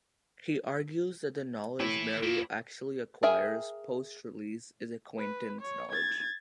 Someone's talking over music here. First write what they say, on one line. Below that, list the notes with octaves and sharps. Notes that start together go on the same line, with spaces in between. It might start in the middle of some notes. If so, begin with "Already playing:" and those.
He argues that the knowledge Mary actually acquires post-release is acquaintance knowledge.
A2 E4 B4
A#3 E4 F4
G#4 A#4 E5 G5 G#5
B4
C#5
G#6 A6